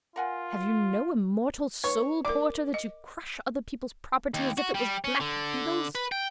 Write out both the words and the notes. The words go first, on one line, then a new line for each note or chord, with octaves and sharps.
Have you no immortal soul, porter, that you crush other people's property as if it was blackbeetles?
F4 A#4 F#5 G#5
B4 C#5 C#6
A#4 D5 D6
D#5
D#2
F#4
G3
C#4
D3
B4
G5